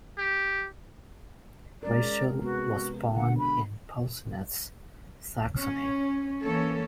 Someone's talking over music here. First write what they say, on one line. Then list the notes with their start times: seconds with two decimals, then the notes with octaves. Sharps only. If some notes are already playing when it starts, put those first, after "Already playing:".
Rietschel was born in Pulsnitz, Saxony.
0.18 G4
1.83 G#3 C#4 A#4 D5
2.42 C3 G#3 B3 F#4
3.14 B2 D3 F#5
3.38 B5
5.60 C#4
6.45 E3 A#3 C#4 A4 C#5